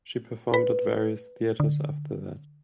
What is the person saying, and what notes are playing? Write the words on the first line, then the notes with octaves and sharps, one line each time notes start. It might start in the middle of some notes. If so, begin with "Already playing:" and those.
She performed at various theaters after that.
B4
D3